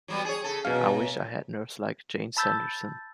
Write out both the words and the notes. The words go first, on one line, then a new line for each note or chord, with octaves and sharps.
I wish I had nerves like Jane Sanderson.
F#3 G3 B3
G#4 C#5
C#3 A4
F#2 B2 F5
A5 B5 E6 G6 A6